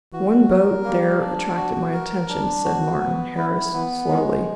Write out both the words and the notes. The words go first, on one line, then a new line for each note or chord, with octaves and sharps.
"One boat there attracted my attention," said Martin Harris slowly.
E3 F#4
F#3 A#4
G3 A#3
D4
F#4
A#4
G3 D4
F#3 F#4
F3 B3
E3 E4
E3 B3
D#3 G#3